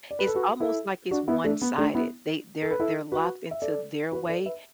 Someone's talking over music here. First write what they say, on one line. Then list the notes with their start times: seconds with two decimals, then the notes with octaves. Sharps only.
It's almost like it's one-sided. They they're they're locked into their way
0.11 D5
0.19 B4
0.27 A4
0.35 F#4 B4
0.60 E4 A4
1.11 D4 F#4
1.28 B3 E4
1.44 A3 D4
1.62 B3
1.78 A3 D4
1.95 B3 E4
2.62 A4
2.71 B4
2.80 E4 A4
3.12 F#4 B4
3.51 E5
3.62 A4 D5
4.12 F#4 B4
4.24 B4
4.29 A4 D5
4.45 B4 E5